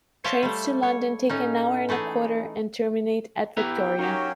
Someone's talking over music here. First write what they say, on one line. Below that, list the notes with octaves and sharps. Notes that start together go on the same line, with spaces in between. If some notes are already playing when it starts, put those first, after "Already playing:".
Trains to London take an hour and a quarter and terminate at Victoria.
C5 C#5 E5 F5 G5 A5
G3 A3
C#5
A2 C#4 D#4
E3 A3 D#4 G#4
B3 E4 G4 B4 G5 A#5
F#3 C#4 D#4 F#4 G4 A#4 F5 A#5